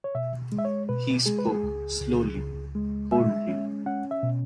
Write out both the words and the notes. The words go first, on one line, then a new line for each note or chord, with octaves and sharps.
He spoke slowly, coldly.
C#5
B2 E5
G#3
E5
C#5
B2 B4
G#3 G#4
B4
G#4
C#2
C#2
C#2
G#3
G#3 E5
C#4
C#4 F#5
E5
B2